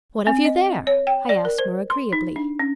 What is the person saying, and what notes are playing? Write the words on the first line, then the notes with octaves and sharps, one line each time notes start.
"What have you there?" I asked more agreeably.
C4
D#5
C#5
G5
D5
A#4
C5
C6
D#4
D4
C#4